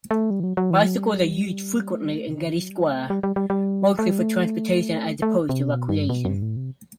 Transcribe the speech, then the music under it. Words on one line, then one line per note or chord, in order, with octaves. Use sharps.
Bicycles are used frequently in Getty Square, mostly for transportation as opposed to recreation.
A3
G3
E3
F#3
F#3
E3
F#3
G3
A3
G3
A3
C3
D3
E3
F#3
G3
A3
G3
G3
G3
G3
A3
G3
A3
A3
C3
B2
G2
B2
F#2
G2
A2
C3